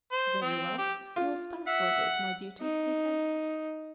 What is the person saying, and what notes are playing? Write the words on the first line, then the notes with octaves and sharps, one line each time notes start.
"Very well; you'll starve for this, my beauty!" he said.
C5
C4
G4
F4
E5 F#5
D#4